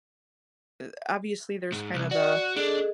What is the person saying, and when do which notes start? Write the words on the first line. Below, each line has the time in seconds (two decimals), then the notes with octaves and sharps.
eh, obviously, there's kind of the
1.72 G#2
1.94 C2
2.11 F#4 D5
2.56 D4 G#4 A4 D#5